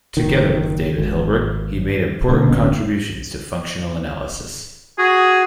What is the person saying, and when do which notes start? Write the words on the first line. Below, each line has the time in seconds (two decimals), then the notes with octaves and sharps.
Together with David Hilbert he made important contributions to functional analysis.
0.17 F#1 D#3
0.98 G#1
2.29 B2 D3 G#3 A#3
2.47 G1 D2 B3 C#4
4.98 F#4 G#4